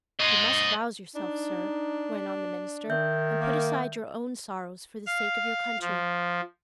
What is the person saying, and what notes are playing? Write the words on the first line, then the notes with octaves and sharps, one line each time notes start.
'You must rouse yourself, sir,' went on the minister, 'and put aside your own sorrows for the sake of your country.'
C5 D#5
D4 D#4
D#3 E5 G6
A#3
F5
F3